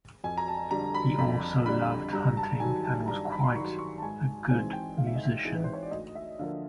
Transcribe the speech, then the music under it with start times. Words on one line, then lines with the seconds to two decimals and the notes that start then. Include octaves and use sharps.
He also loved hunting and was quite a good musician.
0.24 F2 G#5
0.37 A#5
0.48 A5
0.71 D3 G3 A#5
0.94 B5
1.18 F2 B5
1.66 D3 G3 B5
2.13 G2 A#5
2.37 A5
2.60 D#3 F#3 G#5
2.85 A5
3.08 G2 A#5
3.32 B5
3.44 C6
3.55 D#3 F#3 C#6
3.79 C#6
3.98 A5
4.02 G#2 G#5
4.49 E3 G#3 C4 D#4 G#5
4.73 G5
4.97 G#2 F5
5.07 E5
5.16 D#5
5.25 E5
5.45 E3 G#3 C4 D#4
5.55 B4
5.64 C5
5.73 C#5
5.83 D5
5.91 D2 D#5
6.15 E5
6.39 D3 F3 A#3 F5